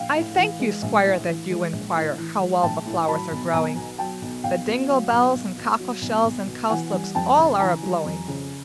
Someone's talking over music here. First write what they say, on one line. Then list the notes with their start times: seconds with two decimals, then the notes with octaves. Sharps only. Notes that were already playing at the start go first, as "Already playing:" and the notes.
"I thank you, Squire, that you enquire How well the flowers are growing; The dingle-bells and cockle-shells And cowslips all are blowing!"
Already playing: A#1 F5 G5
0.14 A2
0.37 E3
0.60 G#3
0.82 A#1
1.05 A2
1.27 E3
1.50 G#3
1.73 A#1
1.95 A2
2.18 E3
2.40 G#3
2.63 A#1 G5 A5
2.85 A2
3.08 F#3 A5 B5
3.31 B1
3.53 B1 G#5 A#5
3.76 B2
3.98 F#3 G5 A5
4.22 B1
4.44 B1 F5 G5
4.67 B2
4.89 F#3
5.12 B1
5.34 B1
5.57 B2
5.79 F#3
6.02 B1
6.25 B1
6.47 B2
6.70 E3 F#5 G#5
6.92 G3
7.15 F2 G5 A5
7.37 C#3
7.60 E3 G#5 A#5
7.83 G3
8.05 F2
8.28 C#3